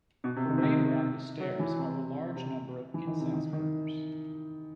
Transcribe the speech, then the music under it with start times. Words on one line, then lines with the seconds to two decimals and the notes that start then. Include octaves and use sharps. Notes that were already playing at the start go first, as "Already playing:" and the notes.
Arrayed around the stairs are a large number of incense burners.
0.24 B2
0.36 C3
0.49 D#3
0.58 C3
0.62 D#3
1.40 F#3
1.59 E3
1.79 C3
2.36 C3
2.94 E3
3.07 D#3
3.20 C3
3.33 D#3
3.53 D#3